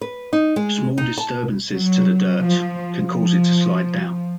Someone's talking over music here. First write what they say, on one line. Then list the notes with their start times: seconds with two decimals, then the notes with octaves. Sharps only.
Small disturbances to the dirt can cause it to slide down.
0.01 B4
0.33 D#4
0.56 G#3
0.98 D#4
1.18 A5
1.72 F#3
2.40 F3
2.97 F3